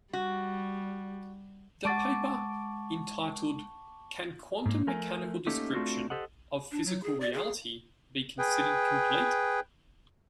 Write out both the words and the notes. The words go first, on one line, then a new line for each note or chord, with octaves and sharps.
The paper, entitled Can quantum-mechanical description of physical reality be considered complete?
G3 F#4
G#3 F#5 A5 C#6 D6 A6 D7
G#2 A#3
F3 A3 A#4 G#5
A3 A#3 C#4 D#4 G4 A4
A3 C4 D4 F4 F#4 A4
G4 A4 C5 D#5 F#5
D4
F#3
G#4
D5
G#4
G#4 B4 G5